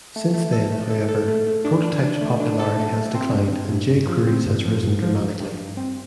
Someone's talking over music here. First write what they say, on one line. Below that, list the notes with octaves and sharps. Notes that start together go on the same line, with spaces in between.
Since then, however, Prototype's popularity has declined, and jQuery's has risen dramatically.
A3
A3
A4
A3
A4
A4
A3
A3
D4
D4
D4
A3
D4
A4
A3
A3
C4
G2
G2
G2
G2
F3
C4
G2
F3
G2
F3
G2
G2
G2
C4